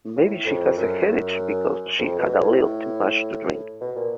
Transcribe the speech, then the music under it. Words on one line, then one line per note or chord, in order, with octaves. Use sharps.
Maybe she has a headache because she had a little too much to drink.
A2
F2
F#2
F2
B2
A2
B2
A#2